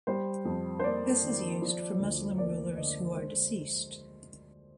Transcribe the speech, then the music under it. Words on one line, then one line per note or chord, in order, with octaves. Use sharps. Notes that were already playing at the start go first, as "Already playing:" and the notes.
This is used for Muslim rulers who are deceased.
G3 C5
F2
C5
A#3 D5
D#3
F3
D2
A#3 D5
D3 D#5
G#3 C5